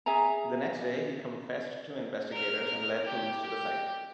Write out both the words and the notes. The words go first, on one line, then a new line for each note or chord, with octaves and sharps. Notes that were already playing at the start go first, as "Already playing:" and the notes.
The next day, he confessed to investigators and led police to the site.
G#4 E5 G#5 A#5
A#4 F6
G4
G4